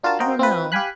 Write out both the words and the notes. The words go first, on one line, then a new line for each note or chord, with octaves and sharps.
I don't know.
D4 F4 F#4 A#4 A5
F#4 A#4 C5 D#5 F5 G5
C4 F4 B4
G4 F5 G5 G#5 B5 F#6